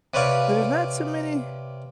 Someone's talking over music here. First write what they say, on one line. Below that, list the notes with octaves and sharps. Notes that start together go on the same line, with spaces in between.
there's not too many
C3 B4 C#5 D5 F5